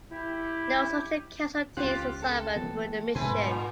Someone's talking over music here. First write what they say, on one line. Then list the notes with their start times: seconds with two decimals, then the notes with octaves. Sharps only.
No soldier casualties were suffered during the mission.
0.11 E4 G4
1.77 C#2 C#4 F4 G4 C5 F#6
2.20 C4 A4
2.56 E3 A#3 B3
3.15 G#2 B2 A3 B4 G#5 C6
3.39 A#2